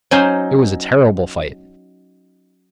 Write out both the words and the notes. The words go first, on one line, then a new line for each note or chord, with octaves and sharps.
It was a terrible fight!
F#3 C#4 D#4 C5